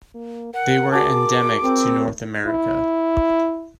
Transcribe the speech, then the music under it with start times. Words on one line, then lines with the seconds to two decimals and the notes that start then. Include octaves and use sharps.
They were endemic to North America.
0.15 A#3
0.54 A#4 F#5
0.92 F#4 G#4 A5 D6
1.63 C4 A#4
2.46 E4